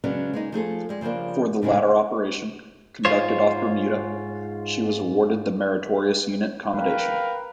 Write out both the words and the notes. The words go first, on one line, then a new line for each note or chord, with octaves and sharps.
For the latter operation, conducted off Bermuda, she was awarded the Meritorious Unit Commendation.
C#3 F#3 G#3 B3 C#4 D4
G#3 A#3 D#4
F3 A3 G#4 A4
G3 G#3
C#3 F3 G3 A#3 D4
A2 C#3 G#3 B3 E4
G#2 F4 C5 C#5
A#4 B4 F5 G5